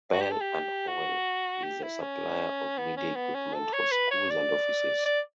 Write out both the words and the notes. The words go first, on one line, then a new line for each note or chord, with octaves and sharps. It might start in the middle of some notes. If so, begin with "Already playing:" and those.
Bell and Howell is a supplier of media equipment for schools and offices.
F#4
G4
A4
G4
F#4
G4
E4
C#4
B3
C#4
B3
C#4
A4
C#5
B4
C#5
D5
D5